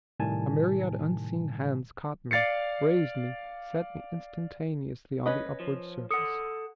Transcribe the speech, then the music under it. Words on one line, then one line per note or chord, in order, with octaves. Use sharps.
A myriad unseen hands caught me, raised me, set me instantaneously on the upward surface.
A2 C3 D#3 G3 G#5 A5
D5 F5 A6 C7 C#7
C#4 B4 D#5
F3
A4 F#5 D#6 C#7